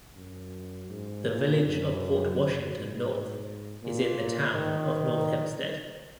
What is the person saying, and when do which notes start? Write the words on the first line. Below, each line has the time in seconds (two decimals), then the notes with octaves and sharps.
The Village of Port Washington North is in the Town of North Hempstead.
0.16 F#2
0.90 G#2
1.26 A#2
1.63 F#2
2.36 F#2
2.73 G#2
3.09 G#2
3.83 A#2
4.55 D#3